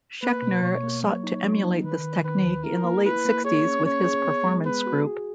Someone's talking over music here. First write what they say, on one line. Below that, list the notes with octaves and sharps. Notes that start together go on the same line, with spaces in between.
Schechner sought to emulate this technique in the late sixties with his Performance Group.
A#3 B4
B2
B2 C#5
A#3
F#3 C#5
D#4
F#3
D#4
D#3 B4
D#3
D#3 B4
D#2
E4 A#4
A#3
E4 B4
A#3
G#4 C#5
C#4
C#4 C#5
G#4
B3
G#3
B3 B4
F#4
G#4